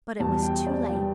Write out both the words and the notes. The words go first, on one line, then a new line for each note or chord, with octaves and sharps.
But it was too late.
E2 B2 G3 A5
G5
D5
B2 G3 G5